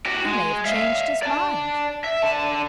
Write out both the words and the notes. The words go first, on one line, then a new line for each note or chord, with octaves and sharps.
"He may have changed his mind."
F#4 G4
G#3
E5 F5
D5 A5
E5
D3 A5